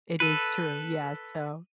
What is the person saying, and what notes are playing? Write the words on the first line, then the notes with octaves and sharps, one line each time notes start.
It is true. Yes, so
A4 B4 D#7